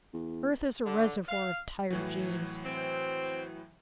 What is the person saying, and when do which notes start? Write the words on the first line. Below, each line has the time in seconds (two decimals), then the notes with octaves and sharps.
Earth is a reservoir of tired genes.
0.13 E2
0.85 D3
1.29 F5
1.90 A2 E3 F#3
2.63 C4